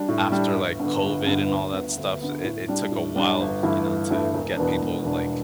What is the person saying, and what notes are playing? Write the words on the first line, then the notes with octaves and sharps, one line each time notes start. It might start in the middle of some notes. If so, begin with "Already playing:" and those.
after, like, COVID and all that stuff, it it took a while, you know, to get people, like,
Already playing: G3 D4
A2
G3 D4
G1
G2 D3 B3
G1
G2 D3 B3
D2
D3 B3
D2
D3 B3
A2
G3 D4
A2
G3 D4
G1
G2 E3 A3 E4
G1
G2 E3 A3 E4
E1
E2 B2 B3 D4
E1
E2 B2 B3 D4